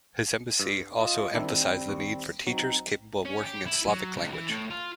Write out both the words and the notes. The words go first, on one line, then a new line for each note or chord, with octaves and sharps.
His embassy also emphasized the need for "teachers" capable of working in Slavic language.
G2
F4 D#5
D#3 G3 C4 D4 E4
D#2
F#3 C4 D#4
C#4
G4
E4
F#3
C#2
E3
A2
F4